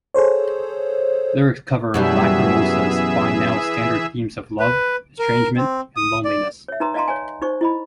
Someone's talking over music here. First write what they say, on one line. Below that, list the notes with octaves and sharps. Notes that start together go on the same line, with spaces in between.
Lyrics cover Lacrimosa's by-now standard themes of love, estrangement and loneliness.
G#4 A4 C5 C#5
F#2 B2 E3 G3 G#4 E5
B4
A#4
C4
D#6
D5
C#5 E5
D#4 B4 A#5 C6 D#6
D5 D#5 F5 A5 A#5 C6
C#5 D5 G#5
D#4 C5 D5 C#6
E4 D#5 B5